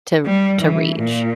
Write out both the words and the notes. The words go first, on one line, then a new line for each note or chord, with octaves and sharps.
to to reach."
G3
E3
A#2